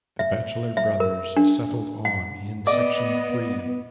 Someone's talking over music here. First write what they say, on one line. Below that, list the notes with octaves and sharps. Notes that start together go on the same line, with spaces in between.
The bachelor brothers settled on in section three.
E5
E5
A#4
D4
F#5
B3 D5 D#5